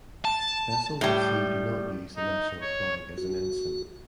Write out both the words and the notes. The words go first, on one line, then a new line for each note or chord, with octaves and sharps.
Vessels at sea do not use the national flag as an ensign.
A5
A2 G3
D#4
C#5
F#4